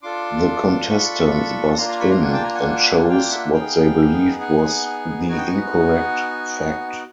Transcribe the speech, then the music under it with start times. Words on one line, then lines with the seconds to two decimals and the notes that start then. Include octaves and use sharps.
The contestants buzzed in and chose what they believed was the incorrect fact.
0.03 D4 F4 A4 C6 D6
0.90 B5 C#6
1.77 A#3 D4 F4 A#5 C6
1.88 A#5 C6
2.00 B5 C#6
2.10 A#5 C6
2.21 F#5 G#5
2.33 G5 A5
2.43 G#5 A#5
2.54 F#5 G#5
3.09 F5 G5
3.31 E5 F#5
3.53 B3 D#4 G#4 F5 G5
4.41 F#5 G#5
5.28 B3 D#4 F#4 G#5
5.38 G5
5.47 F#5 G#5